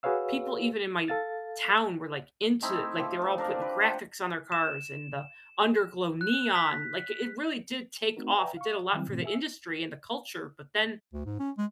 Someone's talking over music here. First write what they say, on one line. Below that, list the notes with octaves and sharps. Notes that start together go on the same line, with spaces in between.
people even in my town were, like, into, like, they were all putting graphics on their cars and the under-glow neon, like it really did take off. It did a lot for the industry and the culture, but then
F#4 G#4 B4 C#5 F5 E6
A4 F5 A6
A3 C4 D#4 E4
F3 G4
A4
D4 A#4 D5 F5
B4
C5 F#5 G5 A#5
E7
F#6
B6
A3 C4 D#4 F#4 A#4
B4 D5 E5 G5 G#5 A#5
F5 C#6
D#3 F#3 G3 C4 E4
G#2 B2 E3 A3 C4
E5 G#5 E6
D2
G#2
C#4
G#3